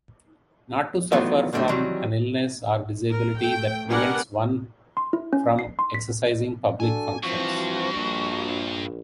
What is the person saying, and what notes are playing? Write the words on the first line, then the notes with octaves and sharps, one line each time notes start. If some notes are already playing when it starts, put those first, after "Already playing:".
Not to suffer from an illness or disability that prevents one from exercising public functions.
D#3 E3 F#3 A3 B3 F4
F#2 B2 D3 G3 A3 C4
D#3 E3 F#3 G3 C4
A#4
A3 G5
G3 B3 D4 A#4 F#5 G#5
C6
E4
C#4
C7
C6
B6
D4 F#4 A4 G#5
G2 E3 F3 C4 F#4
A#1